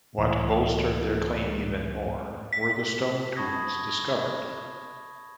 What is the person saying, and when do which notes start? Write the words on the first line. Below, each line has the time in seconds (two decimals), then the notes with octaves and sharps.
What bolstered their claim even more were the stone tools discovered.
0.18 C#2 A2 E3
2.53 B6
3.36 A5 B5 C#6 D#6 G#6 A#6